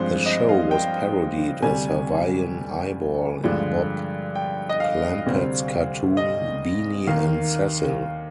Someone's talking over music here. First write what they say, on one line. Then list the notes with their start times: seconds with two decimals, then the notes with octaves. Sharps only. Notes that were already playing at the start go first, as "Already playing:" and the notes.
The show was parodied as "Hawaiian Eyeball" in Bob Clampett's cartoon "Beany And Cecil".
Already playing: G2 F3 G#3 C4 C5
0.26 D#5
0.49 F5
0.71 G5
1.62 D2 C3 G3 G#5
3.43 G2 D3 F3 G#3
4.35 G5
4.69 D#5
4.80 F5
5.26 D2 C3 G3 C4
6.17 D#5
7.07 D#2 D#3 A#3 F5